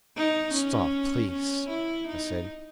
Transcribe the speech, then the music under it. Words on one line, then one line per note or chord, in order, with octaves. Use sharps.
"Stop, please," I said.
D#4
C#4
C#4
E4
D#4